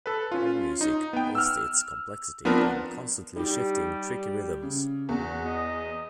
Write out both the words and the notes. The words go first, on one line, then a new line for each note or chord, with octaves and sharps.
Allmusic praised its complexity and "constantly shifting, tricky rhythms".
A4 B4
C#4 F4
D#4
B3 G5
E6 F6
F3 B3 C4 D4 A#4
G3 D#4 G4
C#3
E2 F#4
D#5